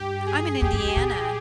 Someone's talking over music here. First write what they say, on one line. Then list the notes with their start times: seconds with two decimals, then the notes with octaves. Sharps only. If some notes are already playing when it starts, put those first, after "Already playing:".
I'm in Indiana.
Already playing: G2 G4
0.26 G#4
0.61 F2 G4
0.73 G2
0.85 G2
0.96 A#2